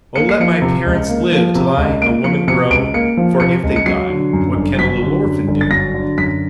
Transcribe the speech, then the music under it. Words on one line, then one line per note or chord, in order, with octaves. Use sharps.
"Oh, let my parents live Till I a woman grow; For if they die, what can A little orphan do?"
A#3 C#7
C7
F3 C#7
C3
C#2
A#3
F3
C3
C#2
A#3 D7
F3 C#7
C3 C#7
C#2 D7
A#3 C#7
F3
C3 C#7
C#2
C#7
F#3 C7
D3
F#2
G1
F#3 B6
D3
F#2
G1
A6
F#3 A#6
D3
F#2 B6